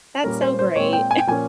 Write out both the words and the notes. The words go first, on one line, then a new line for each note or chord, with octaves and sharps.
that's so great.
A#2 G3 A#3 C#4 A#4
C5
C5
A#2 G#3 C4 C#5
G5
G#5
G5
A#2 F3 A#3 C#4 G#5